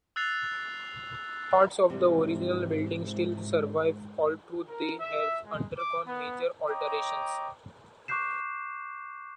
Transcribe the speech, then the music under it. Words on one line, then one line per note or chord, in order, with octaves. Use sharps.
Parts of the original building still survive although they have undergone major alterations.
E6 F#6 A6 C7 F7
G#2 C3 E3 G3
A#4
E5
G#3
D6
B3
C#5 D#5 G5 A#5 D6
C#6 D6 F#6 G6 C7 E7